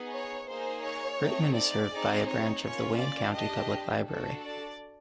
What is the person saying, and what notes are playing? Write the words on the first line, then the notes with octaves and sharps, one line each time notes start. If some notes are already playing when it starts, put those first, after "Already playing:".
Rittman is served by a branch of the Wayne County Public Library.
Already playing: B3 D#4 G#4
C#5
A#3 D#4 G#4 C5
C#5
A3 C4 D#4
D5
C4 D#4 G#4
C#5
A#3 C#4 F4 C#5
D5
D4 G4 D#5
D4 F#4 A4
D5